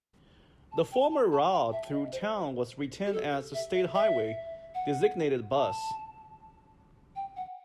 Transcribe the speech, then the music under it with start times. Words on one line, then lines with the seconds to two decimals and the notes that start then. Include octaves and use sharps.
The former route through town was retained as a state highway, designated Bus.
0.72 A5
0.92 G5
1.12 A5
1.32 A5
1.52 G5
1.72 E5
1.92 D#5
2.12 C5
3.06 G4
3.13 A4
3.54 E5
3.74 E5
3.94 E5
4.75 F#5
5.55 A5
7.16 G5
7.36 F#5